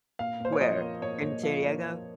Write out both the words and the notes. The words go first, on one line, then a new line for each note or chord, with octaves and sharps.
Where? In San Diego?
A#2 F5
A#2 C5
C#5
F3 D#5
A#3
A#2 C#5
A#2
F3
A#3